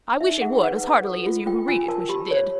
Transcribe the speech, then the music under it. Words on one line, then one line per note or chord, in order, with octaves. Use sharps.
I wish it would as heartily as you who read it wish it did.
D#4 E5
G#4 F#5
G5
B4 F#5
B4
A4
F4
F4 G5
F4 G#5
A#4 A5
G4 B5
C#5